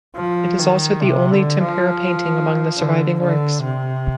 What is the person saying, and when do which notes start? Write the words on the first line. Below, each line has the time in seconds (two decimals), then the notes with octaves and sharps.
It is also the only tempera painting among the surviving works.
0.16 F3
0.59 D#3
1.03 C3
1.32 D3
1.61 F3
2.77 D3
3.20 D3
3.64 C3